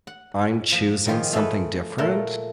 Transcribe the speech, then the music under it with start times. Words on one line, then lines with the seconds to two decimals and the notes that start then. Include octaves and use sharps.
I'm choosing something different,
0.07 F#5
0.72 F3
1.07 D#3 F3 F4 G4 G#4
1.33 A3 G#4 A4 B4
1.98 A#2 A3 A4 A#4